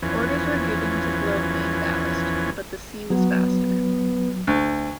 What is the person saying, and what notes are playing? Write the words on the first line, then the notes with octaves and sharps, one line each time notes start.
Orders were given to blow main ballast, but the sea was faster.
E2 E3 F3 C#4
F#3 B3
D2